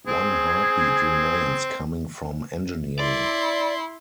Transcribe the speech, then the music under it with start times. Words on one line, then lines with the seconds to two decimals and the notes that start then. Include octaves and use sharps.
One heartbeat remains, coming from Engineering.
0.07 C4 G#4
3.00 E4 D5 C6